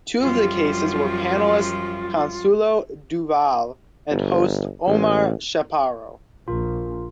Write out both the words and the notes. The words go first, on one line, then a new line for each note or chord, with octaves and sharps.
Two of the cases were panelist Consuelo Duval and host Omar Chaparro.
F#2 F3 G3 F4
G1
A1
A#1 F4 A#4